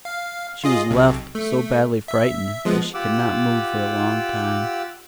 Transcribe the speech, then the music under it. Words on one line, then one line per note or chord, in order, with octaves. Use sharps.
She was left so badly frightened that she could not move for a long time.
F5
F4 G#4 D#5
B1 C3
A3
E5
F3 G#3 B3
F4 G4 F#5 D6 E6